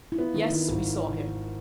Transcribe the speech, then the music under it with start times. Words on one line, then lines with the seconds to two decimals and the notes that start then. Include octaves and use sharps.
Yes, we saw him.
0.12 E4
0.18 B3 F4
0.35 D#3 D#4
0.52 D#3 E4
0.69 G#1 F4